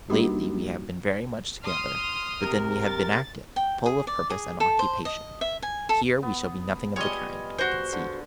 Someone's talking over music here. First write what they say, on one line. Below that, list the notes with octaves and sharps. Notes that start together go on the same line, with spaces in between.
Lately we have been very much together, but then we have been active, full of purpose and occupation: here we shall be nothing of the kind, I can see.
G3 A#3 D4 D#4 F#4 G4
C6 D#6 F6
C3 A#4
A6
G5
G#4
D5
G#4
A4
C5
D#5
E5
G#5
A4
B3
G3 F4 G#4 C#5 D#5
F#4 C5
D3